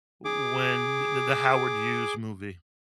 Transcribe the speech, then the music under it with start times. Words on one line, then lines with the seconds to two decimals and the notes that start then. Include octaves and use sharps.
when the the Howard Hughes movie.
0.25 G#4 D6